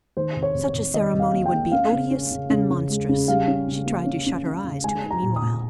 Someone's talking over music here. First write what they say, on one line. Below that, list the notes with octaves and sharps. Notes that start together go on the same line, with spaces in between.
Such a ceremony would be odious and monstrous; she tried to shut her eyes to it meanwhile.
D#3 C5
C3
C#5
C3
C#5
C3
D#3 D#5
C3
F5
A#3
G5
A#3
C#4 F5
C#3
C#4
C#3
C#3
C#3
G#3
C#3
G3 F5
C#4
C#3
A#3
C#4
C#4
C#4
C#3
G#3 G#5
D#4
A#5
A#2
D#6
A#2